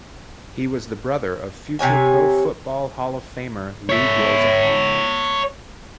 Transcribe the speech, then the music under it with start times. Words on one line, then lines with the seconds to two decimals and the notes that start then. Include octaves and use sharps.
He was the brother of future Pro Football Hall-of-Famer Lou Groza.
1.79 C3 B3 C#5 G#5
3.89 C#5 E5